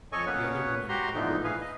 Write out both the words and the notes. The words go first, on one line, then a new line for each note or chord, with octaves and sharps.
The other woman held aloof.
F2 A4 C#5 D#5 G#5 C#6
A#3 B3 C#4 B4 C#5 F#5
F#4 G4 A#5 C6
D3 E3 F3 B3 D#4
E3 G#4 B4 F5 G#5
D#5